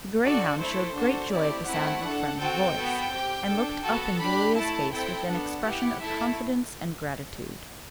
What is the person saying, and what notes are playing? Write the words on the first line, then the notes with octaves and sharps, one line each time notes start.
The greyhound showed great joy at the sound of a friendly voice, and looked up in Julia's face with an expression of confidence and gratitude.
D4 F#4 A4 D5
A3 E4 A4 C5
D4 F#4 A4
A3 C4 E4 G4 D5
A3 C4 E4 F#5
D4 A4
C4 F#4 A4 G5
B3 F#4 A4
C4 G4
D4 A4
B3 F#4 A4 A5
D4 G4 B5
A3 E4 A4 A5
C4 E4 A4 G5
B3 D4 A4 F#5
B3 E4 G4
A3 E4 A4 E5